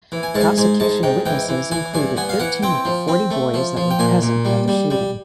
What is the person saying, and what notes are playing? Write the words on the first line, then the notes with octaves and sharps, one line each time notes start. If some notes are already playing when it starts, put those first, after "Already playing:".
Prosecution witnesses included thirteen of the forty boys that were present at the shooting.
E3
G#5
G#2 A5
G#5
G#2 G#5
G#2 A5
G#2 G5
E3 G5
E3
E3 G#5
G2 G#5
B3 G#5
F5
E3 F#5
C4 G5
F3
C4
A3
F3
F3
G5
A#2 G#5
A#2
G3
G3
G3